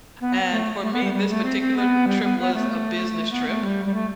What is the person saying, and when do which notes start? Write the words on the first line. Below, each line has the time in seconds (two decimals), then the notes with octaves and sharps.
And for me, this particular trip was a business trip,
0.20 B3
0.51 A3
0.82 A3
0.92 B3
1.03 G3
1.13 G3
1.29 A3
1.44 C4
1.60 C4
1.76 B3
2.06 G3
2.22 B3
2.38 B3
2.53 A3
3.31 B3
3.47 A3
3.63 G3
3.84 G3
3.93 A3